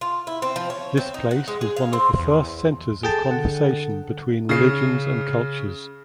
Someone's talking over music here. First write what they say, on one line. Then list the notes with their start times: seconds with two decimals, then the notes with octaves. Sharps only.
This place was one of the first centers of conversation between religions and cultures.
0.01 F4
0.27 E4
0.42 C4
0.56 F3
0.70 C#5
0.97 C4
1.14 D#4
1.31 F#5
1.48 G#3
1.61 G#4
1.77 F5
1.93 C4
2.19 E2
3.03 G#4 A4 G5 A5
3.31 D3 F#5
4.49 C#3 C7